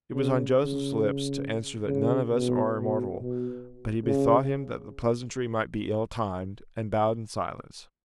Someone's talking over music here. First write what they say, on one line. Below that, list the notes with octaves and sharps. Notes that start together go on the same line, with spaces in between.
It was on Joseph's lips to answer that none of us are immortal, but he bethought him that the pleasantry might be ill-timed, and bowed in silence.
C#3
C#3
C#3
B2
B2
B2
C#3